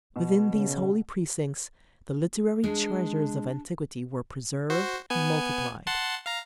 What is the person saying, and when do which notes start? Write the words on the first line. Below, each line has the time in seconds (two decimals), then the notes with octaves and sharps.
Within these holy precincts the literary treasures of antiquity were preserved and multiplied.
0.16 B2
0.54 C#3
2.64 G#3 D4
4.70 F#4 C5
5.10 B3 G#5
5.87 F#5 A5 C6
6.26 F5 A#5